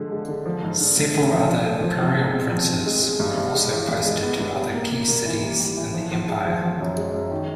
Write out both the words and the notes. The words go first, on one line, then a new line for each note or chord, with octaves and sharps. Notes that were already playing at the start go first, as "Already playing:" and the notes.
Several other imperial princes were also posted to other key cities in the empire.
Already playing: D3 F3 G#3
G#3
D3
F3
G#2
D4
G#2
A3
F3
F3
A3
F3
F3
G#3
C4
F3
C4
G#3
G#3
G2
G2
G#3
E3
G2
G#3
B3
G2
G3
A#3
A#3
A#3
E3
G3
G3
E3
F3
F3
G#3
F3
F3
F#2
G#3
F#2
D#3